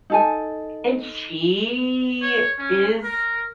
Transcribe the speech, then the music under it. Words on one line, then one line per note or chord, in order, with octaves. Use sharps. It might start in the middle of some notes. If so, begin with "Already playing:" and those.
and she is
D#4 A4 G#5
C#5
C#4
A#4